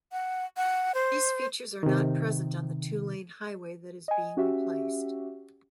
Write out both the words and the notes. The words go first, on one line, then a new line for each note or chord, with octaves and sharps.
These features are not present on the two-lane highway that is being replaced.
F#5
F#5
C5
C3 D#3
D#5 G#5
C#4 F#4 G4 E5